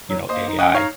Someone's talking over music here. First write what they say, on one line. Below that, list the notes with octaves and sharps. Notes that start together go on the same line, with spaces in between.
you know, AI
F#3
A#3 C5 D#5
D#4
C#4 D#5 F#5
D#4 C#5 F5